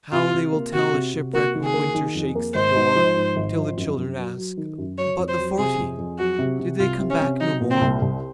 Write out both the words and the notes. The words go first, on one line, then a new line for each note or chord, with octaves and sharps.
How they will tell the shipwreck When winter shakes the door, Till the children ask, "But the forty? Did they come back no more?"
C3 F4
C3
A#3
C3 F#4
C3
C3
A#3 F#4
D#3
G#4
A#3
D#3
F2
A#3
G#1 C5
G#2
F3
G#2
G#1
F3
F#2
F#2
F#3
F#3
D#3
F#2
F#3 C#5
F2
C5
F#3
C3 G#4
F2
F2
F#3 F#4
C3
C3
C2 F4
C3
C#4
C3
F#3 D#4
A#2
C4
C2
C2